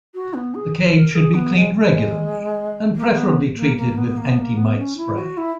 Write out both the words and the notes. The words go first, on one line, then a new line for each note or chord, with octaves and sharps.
The cage should be cleaned regularly, and preferably treated with anti-mite spray.
F#4
B3
G#4
A#4
G#4
B3
G#3
G#3
A#3
B3
A#3
A#3
B3
A#3
B3
A#3
B3
C#4
E4
F#4
E4